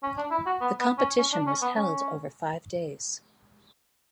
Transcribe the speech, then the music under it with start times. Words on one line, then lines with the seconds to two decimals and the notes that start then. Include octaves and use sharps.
The competition was held over five days.
0.03 C#4
0.17 D4
0.31 E4
0.46 F#4
0.61 B3
0.79 B3
0.98 C#4
1.18 C#4
1.32 D4
1.47 C#4
1.61 B3
1.75 C#4